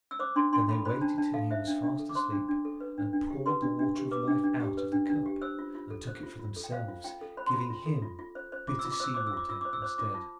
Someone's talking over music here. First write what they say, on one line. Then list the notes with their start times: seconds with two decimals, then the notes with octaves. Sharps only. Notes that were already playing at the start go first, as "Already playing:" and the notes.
Then they waited till he was fast asleep, and poured the Water of Life out of the cup, and took it for themselves, giving him bitter sea-water instead.
0.11 E6
0.19 C5 D6
0.36 D4 C6
0.53 D4 C6
0.69 A4 B5
0.85 C5 B5
1.01 D4 A5
1.18 D4 A5
1.34 A4 F5
1.50 C5 E5
1.67 D4
1.83 D4
1.99 A4
2.09 D6
2.15 C5 C6
2.33 D4
2.49 D4
2.65 A4
2.81 B4
2.98 D4
3.13 D4
3.30 G4
3.46 B4 C6
3.62 D4
3.79 D4
3.96 G4
4.11 B4 D6
4.28 D4
4.44 D4
4.60 G4
4.77 B4
4.92 D4
5.10 D4
5.26 G4
5.41 C5 E6
5.59 F4
5.75 F4
5.90 A4
6.07 C5
6.23 F4
6.39 F4
6.56 A4
6.64 G5
6.72 C5 F5
6.88 F4
7.04 F4 G5
7.21 A4
7.37 C5 B5
7.46 C6
7.53 F4 B5
7.70 F4
7.86 A4
8.02 F4
8.19 F4
8.35 C5
8.52 C5
8.68 F4 D6
8.79 E6
8.85 F4
8.91 D6
9.00 C5 E6
9.14 C5 D6
9.27 E6
9.33 F4 D6
9.49 F4 E6
9.61 C5 D6
9.73 E6
9.82 C5 D6
9.98 F4 D6
10.14 F4 A5